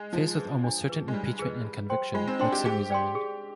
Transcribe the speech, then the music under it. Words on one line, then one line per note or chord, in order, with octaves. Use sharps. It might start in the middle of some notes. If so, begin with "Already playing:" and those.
Faced with almost certain impeachment and conviction, Nixon resigned.
Already playing: G#3
F3 D#4
G#4 B4
D4
G#4 B4
G#3
G3 D4
G#4 B4
F4
C5 G5 C6
G#3 F4
C4
D4 C5 G5 C6
G4
G4 G#4
D5 G5 C6
G#4